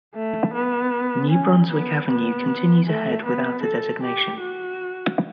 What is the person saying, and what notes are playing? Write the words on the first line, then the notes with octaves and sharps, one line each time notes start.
New Brunswick Avenue continues ahead without a designation.
A3
B3
C#4
B3
B3
A3
B3
A4
G4
F#4